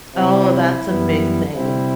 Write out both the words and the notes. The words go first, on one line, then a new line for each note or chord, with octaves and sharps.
Oh, that's a big thing.
C3 G3 C4 E4
F#2 E3 G3 B3
C3 G3 C4 E4